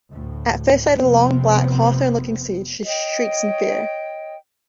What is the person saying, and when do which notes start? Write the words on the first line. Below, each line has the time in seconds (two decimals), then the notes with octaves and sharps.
At first sight of the long, black Hawthorne-looking seed, she shrieks in fear.
0.11 D2 A2
0.96 F1 C3 F3 B3 C4
2.84 C#5 D#5 G5